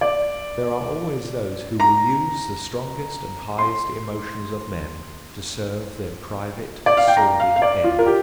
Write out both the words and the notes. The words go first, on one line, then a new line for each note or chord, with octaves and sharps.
There are always those who will use the strongest and highest emotions of men to serve their private, sordid ends.
D5
A#5
C6
D5
F5
G5
A#5
F5
F5
D5
F4
A#4
G4